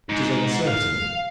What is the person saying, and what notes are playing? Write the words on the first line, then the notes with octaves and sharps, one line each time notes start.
It is uncertain.
G#2
F5